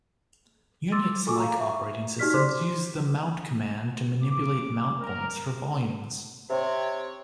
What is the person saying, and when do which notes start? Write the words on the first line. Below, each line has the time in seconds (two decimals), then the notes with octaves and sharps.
Unix-like operating systems use the mount command to manipulate mount points for volumes.
0.92 C6 D6 E6 A6
1.27 F4 F#4 A4 G#5 C#6 D6
1.40 F5 A#5
1.60 E5 C#6
2.19 D#4 F#4 G4 D5 F6 B6
2.34 C5 C6 D6
4.23 D6
5.00 A#4
6.49 C3 C4 C#5